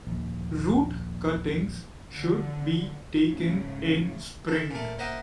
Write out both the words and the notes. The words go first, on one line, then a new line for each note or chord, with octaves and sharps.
Root cuttings should be taken in spring.
A#1 D#2
D3
G#2 C#3 A3
A4 E5
A#2 A3
A#3 C5 D#5 E5 F#5